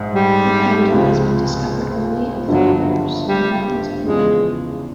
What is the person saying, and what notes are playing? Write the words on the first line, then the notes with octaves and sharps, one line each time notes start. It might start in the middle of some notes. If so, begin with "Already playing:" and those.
The panda has been discovered only of late years, in the mountains of India.
Already playing: A#1 G#2
G3
C#2 C3 F3
G1 G2 D3 F3 F#3
G3
E2 C#3 F3 G#3